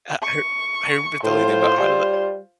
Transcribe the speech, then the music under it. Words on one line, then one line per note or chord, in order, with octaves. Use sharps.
uh, I r I remember the only thing about Out of the
C#6
A2 F4 C5
G3